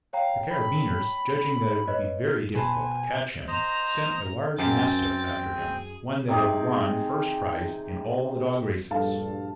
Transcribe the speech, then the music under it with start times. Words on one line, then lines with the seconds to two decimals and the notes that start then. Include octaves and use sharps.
The Carabineers, judging that it would be very difficult to catch him, sent a large Mastiff after him, one that had won first prize in all the dog races.
0.13 C#5 F5 G5 A#5
0.50 B5
1.88 B4 C#5 D#5
2.55 B2 B4 C5 G#5 A5
3.48 C5 D#5 A#5
4.58 F#2 C4 G5 A6
5.54 G#4
6.28 C3 D#4 G4 G#4
8.91 A#1 G2 A4 F5 A5